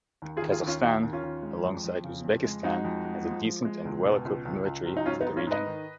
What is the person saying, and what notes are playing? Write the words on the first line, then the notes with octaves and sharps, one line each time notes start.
Kazakhstan, alongside Uzbekistan, has a decent and well-equipped military for the region.
D#2
F4 G#4
D#2
F4 G#4
D#2
C#4 F4
D#2 D#4 F#4
D#2
C#4 F4
D#2
G#3
F2
F2
C#3
F2
G#3
G#3 D#4 F#4
F2
G#3
F3
F3
G#3
C#2
B2
C#2
C#2
C#2
F#3
D#4
G#2 C#4 F4
B3 D#4
G#2
C#4 F4
G#2 B4 D#5
D#3